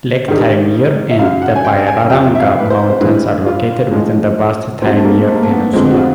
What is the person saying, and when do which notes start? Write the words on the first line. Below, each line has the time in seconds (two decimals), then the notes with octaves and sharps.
Lake Taymyr and the Byrranga Mountains are located within the vast Taymyr Peninsula.
0.28 G2 D#3 G3
1.11 E5
1.19 F#2 C#3 F#3 F5
1.42 F#5
1.56 G#5
1.65 G5
1.87 G#5
2.10 F2 C3 F3 G5
2.35 E5
2.40 F5
2.60 B4
2.70 C5
2.90 C5
3.00 G2 E3 G#3 B4
3.46 F4
3.91 A2 F3 G#3 C#4
4.82 A2 F#3 C4
4.96 A3
5.05 A#3
5.28 A3
5.35 A#3
5.43 A3
5.50 B3
5.73 F2 D3 F3 G#3 C4
5.91 F#4
5.96 F4